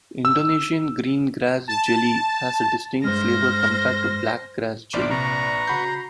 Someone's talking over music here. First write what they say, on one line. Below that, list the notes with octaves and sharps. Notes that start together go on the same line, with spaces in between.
Indonesian green grass jelly has a distinct flavor compared to black grass jelly.
E6
A5
G2 G#3 C5 F6 A#6
A#1 C5 D5 B5 D6 F6 D7
C3 B4 A#5 C#6
C#3 F#4 B5 G6 C7